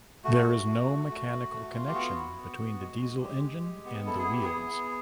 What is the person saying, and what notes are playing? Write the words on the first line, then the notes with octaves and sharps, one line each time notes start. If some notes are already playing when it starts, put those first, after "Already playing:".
There is no mechanical connection between the diesel engine and the wheels.
A3 F#4
A3
A3
A3
A3
A3
A3
F4
G4
B3 F#4
E4
B3
B3
G#3
G#3
G#3 G4
G#3
G#3
B3
E4 A4
G#4
B3 G4
G#4
E4
B3